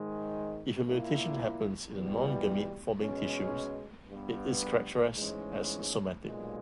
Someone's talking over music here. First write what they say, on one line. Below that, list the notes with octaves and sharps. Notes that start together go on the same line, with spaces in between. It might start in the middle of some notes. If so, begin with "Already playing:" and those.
If a mutation happens in the non-gamete forming tissues, it is characterized as somatic.
Already playing: G#2 D#3 G#3
A#2 A#3 E4
E2 B2 G3
B2 G#3 C#4
G2 G3 B3
G#2 E3 G#3 C#4
B1 A#2 G#3